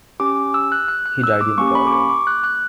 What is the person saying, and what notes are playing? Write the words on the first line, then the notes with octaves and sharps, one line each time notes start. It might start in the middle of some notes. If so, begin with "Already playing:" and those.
He died in Berlin.
C#4 G4 D6
E6
F#6
F#6
F#6
E6
D6
A#3 C#4 G4 C#6
B5
D6
C#6
D6
F#6
F#6